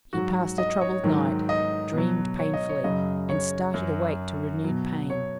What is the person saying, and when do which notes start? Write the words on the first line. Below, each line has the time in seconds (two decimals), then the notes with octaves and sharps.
He passed a troubled night, dreamed painfully, and started awake to renewed pain.
0.13 G#2 F#3 F#4
0.58 D#5
0.81 C#5
1.03 G#2 D#3 F#3
1.49 D#5
1.93 B2 F#3
2.39 C#5
2.54 D#5
2.69 C#5
2.84 F#2 C#3 F#3 D#5
3.29 C#5
3.74 F#2 F#3
4.64 B2 F#3
5.10 C#5